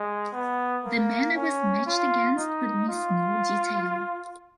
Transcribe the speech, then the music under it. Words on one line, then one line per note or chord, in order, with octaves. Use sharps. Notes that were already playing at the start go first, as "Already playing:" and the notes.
The men I was matched against would miss no detail.
Already playing: G#3
B3
A#3
C#4
F4
D#4
F4